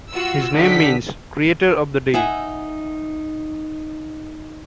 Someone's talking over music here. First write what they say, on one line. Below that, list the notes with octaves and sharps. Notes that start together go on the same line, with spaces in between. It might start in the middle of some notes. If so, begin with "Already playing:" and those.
His name means "creator of the day".
F4 F#4 E6
D3 D#4 G4 B6
D#4 E5 F#5 G#5